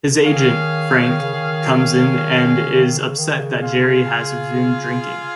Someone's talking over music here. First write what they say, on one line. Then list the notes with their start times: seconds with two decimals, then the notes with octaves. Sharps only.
His agent, Frank, comes in and is upset that Jerry has resumed drinking.
0.22 D#3 C#4 G#4 F5
1.07 D#3
1.21 C#3
1.34 D#3
2.66 C#3
2.76 D#3
2.97 C#3
3.18 D#3
3.39 C#3
3.61 F4 G#4 F5